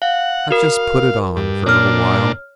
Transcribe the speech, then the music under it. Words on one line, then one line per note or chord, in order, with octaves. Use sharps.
I've just put it on for a little while.
F5 F#5
F#4 A#4 F5
G2
A#2 D4 C#5 F6